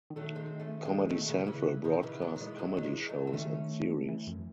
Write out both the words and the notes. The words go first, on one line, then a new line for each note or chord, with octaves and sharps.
Comedy Central broadcast comedy shows and series.
D#3
F#3 A3
G#3 C4
A3 C#4
G#3 C4
F#3 A3
C#3
C#3 E3
C3 D#3
C#3 E3
D#3 F#3
F#3
E3 G#3
D#3 F#3
F#3
E3 G#3
F#3 A3
C4
D#3 A3 C#4
E3
F#2